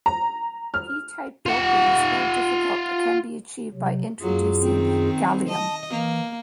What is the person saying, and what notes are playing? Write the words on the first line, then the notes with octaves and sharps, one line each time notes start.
P-type doping is more difficult, but can be achieved by introducing gallium.
A#5
F6
F4 F#5
C3 F#3
F#2 F#3 A#3 F4 G#4
D#3 C4
D#5 A5
E3 A#3